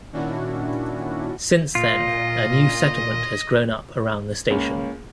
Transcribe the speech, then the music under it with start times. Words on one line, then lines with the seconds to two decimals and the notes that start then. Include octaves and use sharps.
Since then, a new settlement has grown up around the station.
0.12 A#2 D#3 C#4 D4 E4 F#4
1.75 A#2 F4 D#5
4.50 C#2 A#3 C#4